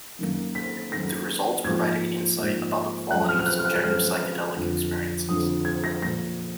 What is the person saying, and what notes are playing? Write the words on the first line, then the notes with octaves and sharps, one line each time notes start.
The results provided insight about the quality of subjective psychedelic experiences.
F#2 D#3 A#3
B6
F#2 D#3 A#3 A#6
G#2 F3 A#3 G#6
G#2 F3 A#3
F#2 F3 G#3 F#6
F6
F6
F#6
F6
F#6
F#6
F#2 F3 G#3 F6
F2 D3 F3
F2 D3 F3 D#6
G#6
A#6
A#2 F3 A#3 A#6